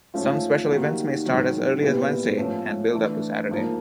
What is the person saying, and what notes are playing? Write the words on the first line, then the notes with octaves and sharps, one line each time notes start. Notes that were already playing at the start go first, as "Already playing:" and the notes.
Some special events may start as early as Wednesday and build up to Saturday.
G#2 F3 A3 C#4 F4
D#3 G3 A#3 D#4 F#4
G#2 D#3 F#3
A#2 G3 B3 E4
A2 F3 A3 C#4
E3 A3 D4
G#2 F3 A#3